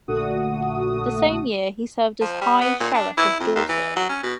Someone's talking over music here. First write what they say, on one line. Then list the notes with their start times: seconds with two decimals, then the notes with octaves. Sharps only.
That same year he served as High Sheriff of Dorset.
0.08 A#1 A#2 D3 A3 F#4 D#6
2.21 F3
2.41 G3
2.61 B3
2.80 A#2
2.94 D4
3.17 E4
3.40 F2
3.56 D#2
3.69 E3
3.96 F#3
4.09 C#4
4.23 B2